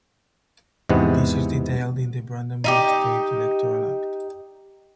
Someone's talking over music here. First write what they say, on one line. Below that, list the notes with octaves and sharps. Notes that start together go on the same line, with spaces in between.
This is detailed in the Brandenburg State Electoral Act.
E2 G#2 C3 G#3 B3 E4
D#4 E4 G4